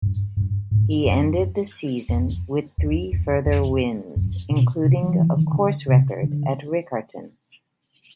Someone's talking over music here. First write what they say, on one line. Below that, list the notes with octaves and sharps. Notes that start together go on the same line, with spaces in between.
He ended the season with three further wins, including a course-record at Riccarton.
G2
G2
G#2
F#2
F2
E2
F2
F2
F#2
B2
C3
F3
E3
D#3
D3
C3
D3